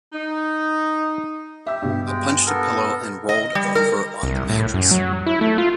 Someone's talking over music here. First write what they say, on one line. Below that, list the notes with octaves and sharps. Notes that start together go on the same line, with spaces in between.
I punched a pillow and rolled over on the mattress.
D#4
G4 E5 E6
G2 B2
G#3 G5
B3 A4 A#4
D#5
G3
A#4
C2
A2
F#2
F#3
E4
A3
F4